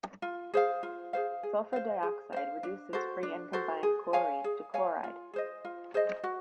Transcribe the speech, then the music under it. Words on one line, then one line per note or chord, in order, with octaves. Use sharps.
Sulfur dioxide reduces free and combined chlorine to chloride.
F4
G#4 C5 F5
F4
G#4 C5 F5
G#4
C5 F5
G#4
C5 F5
D4
F#4 A4 C5
D4
F#4 A4 C5
G#4
C#5 F5 G#5
G#4
C#5 F5 G#5
F4
G#4 C5 D#5
F4
G#4 C5 D#5
F#4